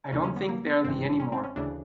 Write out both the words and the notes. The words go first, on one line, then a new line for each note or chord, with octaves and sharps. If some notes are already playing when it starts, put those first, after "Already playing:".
I don't think there'll be any more.
D#2 C#3 E3 C#4
C#4
B3
A#3
B3
G#1 G2 E3 C4
C#4
C4
C#4
D2 C#3 E3 D4